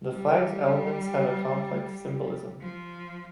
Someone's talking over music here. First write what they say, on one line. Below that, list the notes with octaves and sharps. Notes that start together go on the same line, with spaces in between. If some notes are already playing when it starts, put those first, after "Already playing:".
The flag's elements have a complex symbolism.
G3
F3